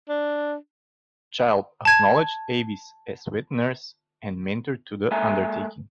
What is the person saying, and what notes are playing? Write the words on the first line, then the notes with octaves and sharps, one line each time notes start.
Child acknowledged Avis as "wet nurse" and "mentor" to the undertaking.
D4
A5 G#6
G#3 A#3 A4 E5 G#5 A#5